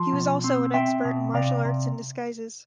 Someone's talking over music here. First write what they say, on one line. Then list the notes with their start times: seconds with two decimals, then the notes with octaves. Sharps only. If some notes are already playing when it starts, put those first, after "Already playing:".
He was also an expert in martial arts and disguises.
Already playing: F3
0.13 B2
0.44 C4
0.74 C4 E5 G5
1.05 B2
1.34 C3 D5 F5
1.65 C3